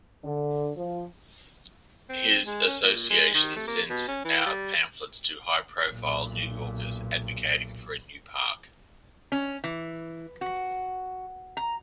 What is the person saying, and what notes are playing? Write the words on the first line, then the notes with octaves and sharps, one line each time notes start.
His association sent out pamphlets to high-profile New Yorkers, advocating for a new park.
D3
F3
C4
G#3
C#4
A#2
G#3
D#3
A3
A#3
B2
C#4
E3
G3
B1 A#2
C#4
E3
F#4
A#5